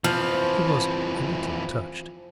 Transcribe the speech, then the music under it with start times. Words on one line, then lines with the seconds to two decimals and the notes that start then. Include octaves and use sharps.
She was a little touched.
0.04 F2 E3 F3